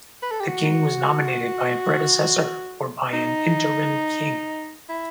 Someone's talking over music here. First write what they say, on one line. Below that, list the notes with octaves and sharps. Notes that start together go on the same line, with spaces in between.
The king was nominated by a predecessor or by an interim king.
B4
A4
G4
F#4
D#4
E4